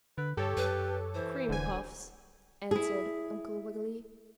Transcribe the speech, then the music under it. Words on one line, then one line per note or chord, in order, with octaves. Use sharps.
"Cream puffs," answered Uncle Wiggily.
D3 B4
G2 G4 A4 C#5
F#2 B4
E3 C5
D#1 D3 G#5
E4 G#4